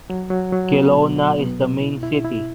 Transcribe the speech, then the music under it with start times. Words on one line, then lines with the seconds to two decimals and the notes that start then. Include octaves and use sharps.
Kelowna is the main city.
0.10 F#3
0.30 F#3
0.52 F#3
0.73 B3
0.95 B2
1.16 F#3
1.38 B3
1.60 B2
1.80 E4
2.03 E4
2.25 E4